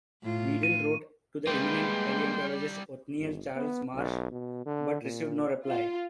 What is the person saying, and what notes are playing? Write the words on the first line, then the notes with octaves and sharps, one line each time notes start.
Beadle wrote to the eminent paleontologist Othniel Charles Marsh, but received no reply.
A2 F4
D#7
G3 G#3 A#3 E4 B4 G5 C6
G1
B3
B1
B2
D3
A#2
F4